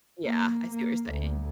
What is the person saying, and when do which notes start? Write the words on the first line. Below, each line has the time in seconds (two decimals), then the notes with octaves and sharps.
Yeah, I see what you're saying.
0.25 A#3
0.71 A#3
1.11 D2